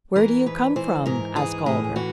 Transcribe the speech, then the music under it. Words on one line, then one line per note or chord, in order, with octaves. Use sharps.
"Where do you come from?" asked Calder.
E3 A#4
G#2 B4
E3 C5
G#2 A#4
E3 G#4
A2 G#4
E3 F#4